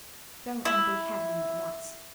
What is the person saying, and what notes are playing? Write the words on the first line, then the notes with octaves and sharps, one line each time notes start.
Go and behead him at once.
E4